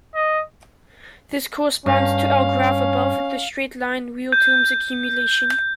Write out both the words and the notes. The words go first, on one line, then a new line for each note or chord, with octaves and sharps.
This corresponds to our graph above with the straight line real-terms accumulation.
D#5
G2 C#4 F5
G6